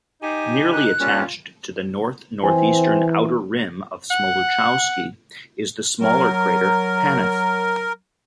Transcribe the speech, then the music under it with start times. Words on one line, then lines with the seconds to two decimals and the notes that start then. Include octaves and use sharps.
Nearly attached to the north-northeastern outer rim of Smoluchowski is the smaller crater Paneth.
0.22 D#4 G4 G#5
0.73 D#4 F#6
1.00 G3 A#3 C#4 F4
2.44 E3 C4 G#5
4.11 F#5
6.00 F#3 A#4